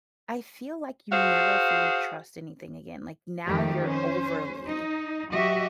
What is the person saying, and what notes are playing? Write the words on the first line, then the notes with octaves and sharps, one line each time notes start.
I feel like you never fully trust anything again, like, now you're overly
F#4 G#4 C5 F5
F2 D#3 A3 G4
C#4 C5
D#4
F#3 F#4 G4 D#5 E5